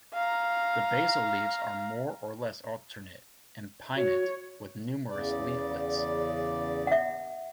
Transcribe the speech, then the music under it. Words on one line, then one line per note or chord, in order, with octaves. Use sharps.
The basal leaves are more or less alternate, and pinnate, with numerous leaflets.
F5 A#5
F#4 C#5
E2 C#3 D5
E5 F#5